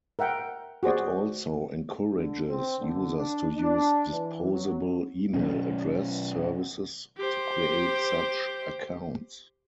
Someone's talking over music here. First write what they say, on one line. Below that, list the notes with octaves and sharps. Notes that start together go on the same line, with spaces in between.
It also encourages users to use disposable email address services to create such accounts.
A#4 E5 F#5 G5
F#4 G#4 C5 D5
D3
C4
D3
D4
D4
E3
F#3
B2 F#3 C#4
G4 C5